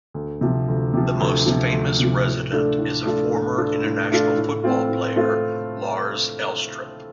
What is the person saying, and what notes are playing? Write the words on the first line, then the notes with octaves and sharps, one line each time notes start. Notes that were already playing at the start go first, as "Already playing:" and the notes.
The most famous resident is a former international football player Lars Elstrup.
D2
C3 F3
D2
C3 F3
D2
C3 F3
D2
C3 F3
A2
A3 D4 F4 A4
A2
A3 D4 F4 A4
A2
A3 D4 F4 A4
A2
A3 D4 F4 A4
A2
A3 C4 F4
A2
A3 C4 F4